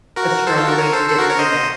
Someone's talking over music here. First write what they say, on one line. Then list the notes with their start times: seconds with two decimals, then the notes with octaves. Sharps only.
a strong way to get through that
0.16 F#4 A#4
0.47 A4 C5
0.57 F4 A4
0.68 F#4 A#4
0.78 A#4 C#5
0.93 A4 C5
1.09 A4 C5
1.18 F#4 A#4
1.29 A#4 C#5
1.39 C5 D#5